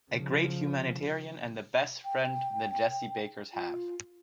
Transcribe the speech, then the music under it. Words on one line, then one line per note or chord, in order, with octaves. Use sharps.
A great humanitarian and the best friend the Jessie Bakers have.
C#3 F3
G5
F4